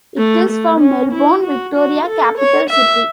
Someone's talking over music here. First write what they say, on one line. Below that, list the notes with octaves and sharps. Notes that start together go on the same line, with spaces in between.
It is from Melbourne, Victoria's capital city.
A3
A3
C#4
E4
F#4
F#4
A4
C#5
E5